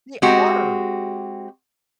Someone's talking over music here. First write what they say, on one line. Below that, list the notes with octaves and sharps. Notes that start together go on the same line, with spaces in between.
They are.
G#3 C4 F#4 G4